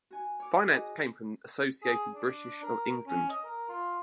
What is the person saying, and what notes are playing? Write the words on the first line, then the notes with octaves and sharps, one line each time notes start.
Finance came from Associated British of England.
F#4 G#5
C#5 D6
F#4 G#4 D#5
G#4
D4
A#4
C#4
D#5
A#4
F4